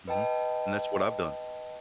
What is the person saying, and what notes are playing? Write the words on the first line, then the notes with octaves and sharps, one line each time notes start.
Mhm. And that's what I've done.
B4 D#5 G5 A5